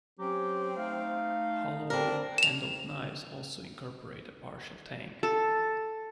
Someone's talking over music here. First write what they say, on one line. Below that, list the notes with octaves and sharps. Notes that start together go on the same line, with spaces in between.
Hollow-handled knives also incorporate a partial tang.
F#3 C4 C#4 G4
A3 D#4 F5
C4 D4 A#4
E7 F7
A4